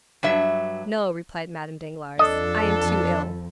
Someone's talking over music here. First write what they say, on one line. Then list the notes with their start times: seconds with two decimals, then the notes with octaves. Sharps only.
"No," replied Madame Danglars, "I am too ill."
0.23 G2 F#3 E5
2.19 F2 D4 A4 D#5